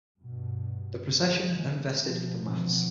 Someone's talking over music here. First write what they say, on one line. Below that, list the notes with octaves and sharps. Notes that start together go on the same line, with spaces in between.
The procession then vested for Mass.
G2 B2
G#3
B2 F3
B2 D3 E3 F3 B3 C4